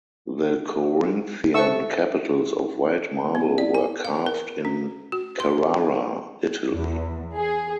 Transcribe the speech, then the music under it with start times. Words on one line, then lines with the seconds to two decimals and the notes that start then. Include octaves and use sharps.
The Corinthian capitals of white marble were carved in Carrara, Italy.
1.54 A4 C5 E5 C#6 E6
3.35 B3
3.58 D5
3.74 G#5
4.05 F5
4.26 A#4
4.65 C#4
5.12 F#4
5.40 C6
6.72 E2
7.37 G#4